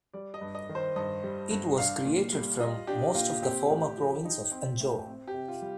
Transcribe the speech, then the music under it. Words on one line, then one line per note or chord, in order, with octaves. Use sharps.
It was created from most of the former province of Anjou.
G3 D5
D#5
G2
D#5
D#3
C5
G2 D#5
G3
G2
D4 F5
A#2
G3
F4 D#5
D4 G4
A#2 F4
C4 G4
A2
F3
D#4
C4
A2
C4
G4
C3
F4
G3